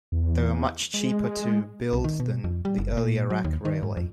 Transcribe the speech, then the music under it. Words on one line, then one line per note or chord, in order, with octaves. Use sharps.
They were much cheaper to build than the earlier rack railway.
E2
G#3
C2
D#3
B2
F2
G3
F#1
A#2
F#3
D#2
D#3
G#2
F2